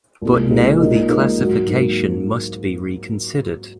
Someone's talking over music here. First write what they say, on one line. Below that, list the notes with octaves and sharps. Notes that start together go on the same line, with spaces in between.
But now the classification must be reconsidered.
C2 A#2 G#3
C2 A#2 G#3
A#2 G#3 D#4 A#4 D#5
A#2 G#3 D#4 A#4 D#5
G#2 F#3 A#3
G#2 F#3 A#3